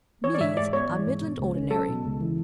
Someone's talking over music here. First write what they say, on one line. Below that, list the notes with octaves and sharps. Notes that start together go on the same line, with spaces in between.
Middies are Midland Ordinary.
E3 C#5
D5
G#2 E5
G#2 D5
B3 C#5
E3
G#2
B2
C#2
C#4
F#3 A4
B2
C#2
E3